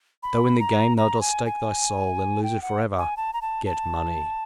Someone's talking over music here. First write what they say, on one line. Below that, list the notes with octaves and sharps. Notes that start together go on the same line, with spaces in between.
Though in the game thou dost stake thy soul, and lose it forever--get money!
B5
A#5
A#5
G#5
G#5
G5
F#5
G#5
A5
A#5
A5
A5